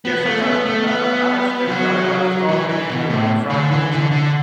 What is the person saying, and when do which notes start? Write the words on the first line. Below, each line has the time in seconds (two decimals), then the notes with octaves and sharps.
Yeah. Sometimes you I've I've actually never done it, but I just thought maybe you could do it like a fried pork chop.
0.05 B3
0.25 A3
0.39 C#4
0.46 B3
0.65 A3
0.87 B3
1.67 F#3
2.49 E3
2.69 E3
2.90 B2
3.10 A2
3.50 D3
3.71 E3
3.91 D3
4.11 D3